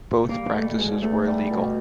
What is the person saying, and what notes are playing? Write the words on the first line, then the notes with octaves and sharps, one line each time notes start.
Both practices were illegal.
A3
G3 A#3
B2 A3
A3
E2 G#3
E2 A3
G3
B2